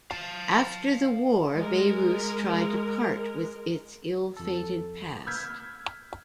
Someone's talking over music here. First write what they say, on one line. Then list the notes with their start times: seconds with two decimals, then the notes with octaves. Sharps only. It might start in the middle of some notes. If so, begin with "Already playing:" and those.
After the war Bayreuth tried to part with its ill-fated past.
0.11 F5 A5
1.56 G#3 A#4
4.37 F2 A4
5.26 E6 F6 G6 G#6 B6